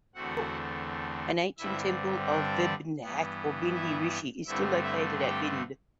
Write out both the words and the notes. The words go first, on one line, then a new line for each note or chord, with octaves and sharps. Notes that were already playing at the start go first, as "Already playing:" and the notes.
An ancient temple of Vibhandak or Bhindi Rishi is still located at Bhind.
E2 D3 A3 C4 F#4 F#5
G2 D3 G3 C4 E4 E5
D4 D5
G2 E3 B3
E4 E5
G2 D3 A3 C4 E4 E5
E4 E5
G4 G5